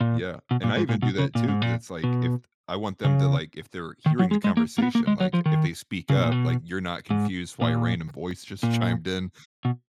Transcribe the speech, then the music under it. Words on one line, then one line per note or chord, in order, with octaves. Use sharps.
Yeah, and I even do that too 'cause it's like, if I want them to, like if they're hearing the conversation, like, if they speak up, like, you're not confused why a random voice just chimed in
A#2
B2
A#2
G#2
A#2
B2
C#3
A#2
G#2
A#2
B2
C#3
D#3
F#3
G#3
G#3
A#3
A#3
B3
A#3
G#3
F#3
F3
D#3
C#3
B2
A#2
B2
G#2
A#2
A#2
B2